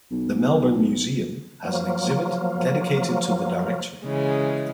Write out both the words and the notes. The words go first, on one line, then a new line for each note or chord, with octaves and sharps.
The Melbourne Museum has an exhibit dedicated to the directory.
B1
F3 F#3 A#3
C#3 E3 G#3